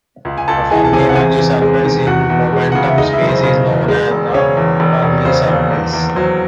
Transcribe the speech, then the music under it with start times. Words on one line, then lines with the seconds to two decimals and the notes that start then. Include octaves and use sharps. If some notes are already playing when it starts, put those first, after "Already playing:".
The Fermi energy surface in momentum space is known as the Fermi surface.
0.25 C#2
0.38 G#5
0.48 C#2 A4 A5
0.70 E3 G#4 G#5
0.85 A5
0.93 C3 G#4 G#5
1.09 F#5
1.16 E2 G#4 G#5
1.39 E2
1.62 G#3
1.84 D#3
2.07 E2 F#4 F#5
2.30 E2
2.52 G#3
2.72 C#3 F#5
2.85 E5
2.98 G#3 D#4 D#5
3.13 E4 E5
3.21 F#1
3.29 C5
3.43 C#3 C5
3.66 E2
3.88 G#3
4.11 E1
4.28 C5
4.34 C#3 C#4 C#5
4.57 E2
4.80 E1
5.02 E1
5.25 C#3 C5
5.48 D#2
5.71 E2
5.93 E2
6.16 F#3 C5